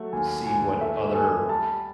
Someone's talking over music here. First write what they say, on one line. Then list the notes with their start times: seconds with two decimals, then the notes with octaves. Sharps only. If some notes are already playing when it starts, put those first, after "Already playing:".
see what other
Already playing: F#3 A3
0.13 D#2 G#5
0.47 D#2 G#5
0.80 A3 E5
1.15 A3 G#5
1.49 G3 A5